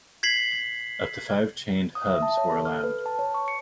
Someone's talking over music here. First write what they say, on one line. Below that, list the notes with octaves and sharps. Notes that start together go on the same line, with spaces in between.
Up to five chained hubs were allowed.
G#6 B6 C7 F#7
D#6
E5
A5
C#5
A4
F6
B4
A5
C#5
C#6
C#7